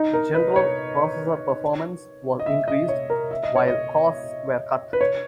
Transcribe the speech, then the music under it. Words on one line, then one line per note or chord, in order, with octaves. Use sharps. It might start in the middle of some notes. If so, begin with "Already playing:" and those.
General processor performance was increased while costs were cut.
Already playing: D#4
A#4
B4
C#5
D#5
E5
D#5
C#5
A#4
E5
D#5
C#5
D#5
B4
C#5